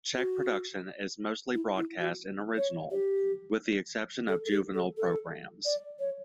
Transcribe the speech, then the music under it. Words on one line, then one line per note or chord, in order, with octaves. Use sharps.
Czech production is mostly broadcast in original, with the exception of juvenile programs.
F#4
E4
E4
F#4
C#5
G4
A4
A4
G4
A4
A4
D5
C#5